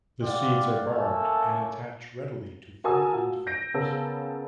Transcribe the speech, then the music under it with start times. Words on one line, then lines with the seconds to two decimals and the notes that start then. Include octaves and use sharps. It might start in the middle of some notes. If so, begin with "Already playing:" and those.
The seeds are barbed and attach readily to fur and feathers.
0.23 C4 G4 C5 D5 F5 F#5
0.89 A3 A#3 C#4 A4
2.84 F#4 A#4 G#5 A5 D#6 E6
3.12 F4 F#4
3.47 G6 A#6 D7
3.74 C#3 B3 A#4 A5 E6